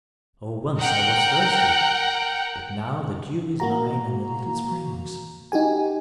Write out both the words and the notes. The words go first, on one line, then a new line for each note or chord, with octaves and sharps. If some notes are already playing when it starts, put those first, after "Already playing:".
Oh, once I was thirsty; but now the dew is mine and the little springs.
A#4 F#5 G5
A#3 F#4 A#5
D#4 F#4 G4 G#5